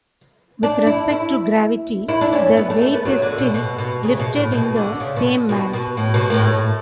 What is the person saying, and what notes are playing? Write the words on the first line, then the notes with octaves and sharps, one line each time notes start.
With respect to gravity, the weight is still lifted in the same manner.
D4
E4
E4
E4
D4
C#4
B3
A3
A3
B3
F#3
D3
B2
B2
B2
C#3
B2
A2
B2
D3
C#3
B2
B2
B2
A2
B2
A2
A2